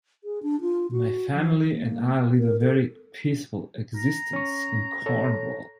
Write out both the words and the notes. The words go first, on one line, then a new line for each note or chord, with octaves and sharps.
My family and I lead a very peaceful existence in Cornwall.
G#4
D4
F4
F#4
F3
A#3
A#4
A4
A#5
C#4 C#6
A4 C#5